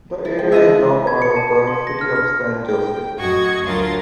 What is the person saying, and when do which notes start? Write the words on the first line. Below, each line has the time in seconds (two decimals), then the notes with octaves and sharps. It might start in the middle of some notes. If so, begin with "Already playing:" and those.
The area is now part of the city of San Jose.
0.25 E4
0.39 C#3 G#3 G5
0.52 D4 D#5 E5
1.07 G#6
1.22 C#7
1.36 A5
1.67 C6
1.87 A#6
2.01 F6
2.16 F6
2.65 G5
3.18 F#2 A2 F#4 D#5 C#6 G#6
3.64 D2 F#3 F4 A#4 C6 A6